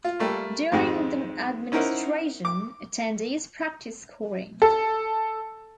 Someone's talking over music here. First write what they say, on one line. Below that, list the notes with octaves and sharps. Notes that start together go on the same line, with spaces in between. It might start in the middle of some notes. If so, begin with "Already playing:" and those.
During the administration attendees practice scoring.
F4
G3 A3 A#3
F2 G#2 D#3 G#3 G4
C#4 D#4 E4 A#4 C5 F#5
D6
A4